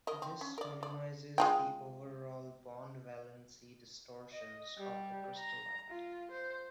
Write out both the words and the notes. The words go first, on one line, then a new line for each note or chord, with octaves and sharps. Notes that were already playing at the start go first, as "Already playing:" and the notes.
This minimizes the overall bond-valence distortions of the crystallite.
A#4 D#5
C4
C#4
A#4 D5
D5
G#3 F4 G5
D#5
G3
A#5
F4
C5